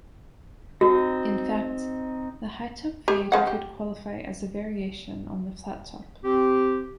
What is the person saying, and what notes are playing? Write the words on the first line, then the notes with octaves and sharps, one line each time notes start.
In fact, the hi-top fade could qualify as a variation on the flattop.
C4 D#4 F#4
G4 G#4
F3 G#3 F#5
G4
C4 G4